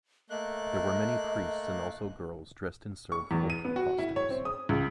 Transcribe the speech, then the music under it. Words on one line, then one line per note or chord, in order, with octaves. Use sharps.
There were many priests and also girls dressed in Serb folk-costumes.
A3 A#3 D#5 F#6
C#6
E2
D#7
B3
F#4
E4
C#5
C4
D#6
C#2